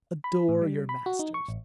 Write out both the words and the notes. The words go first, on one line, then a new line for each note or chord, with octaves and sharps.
Adore your masters.
B5
A2
G3
B5
F#4
D#4
C#6
A1